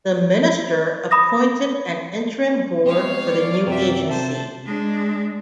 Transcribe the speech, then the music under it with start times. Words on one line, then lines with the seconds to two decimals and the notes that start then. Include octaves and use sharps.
The Minister appointed an interim board for the new agency.
1.11 B5 D#6 A#6
2.86 G#3 B3 C4 C#5 F5
3.24 D5
3.67 F#2 C3 C4 F4 F#4 A#4 E5 G5
4.10 C3 A4 C5 E5 A5
4.66 G#3 D4